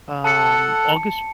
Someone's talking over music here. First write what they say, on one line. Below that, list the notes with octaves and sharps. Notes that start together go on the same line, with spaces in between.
um August
A4 F#5 A5 C#7